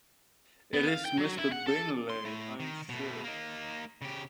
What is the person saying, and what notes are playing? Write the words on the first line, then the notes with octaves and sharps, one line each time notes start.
It is Mr. Bingley, I am sure!
B3
F5
G5
F#3
E4
F#5
A4
C6
A3 E4
D#3
B2 A3
A#3 D#4
C#3 G4